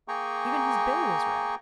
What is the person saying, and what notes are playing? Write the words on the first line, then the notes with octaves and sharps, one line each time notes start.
Even his bill was red.
A#3 G#4 G5 G#5 A#5 C#6